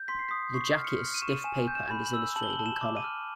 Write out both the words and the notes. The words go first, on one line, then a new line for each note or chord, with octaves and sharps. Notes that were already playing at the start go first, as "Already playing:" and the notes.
The jacket is stiff paper and is illustrated in color.
Already playing: G6
C6 B6
C7
D#6 B6
C#6 C7
F6
C#7
F6
D#7
C#6 E7
D#7
G#5 E7
G6
E7
B5
F#7
E6
A5 F#7
G7
F#7
A5
E7
D6
D#7
F6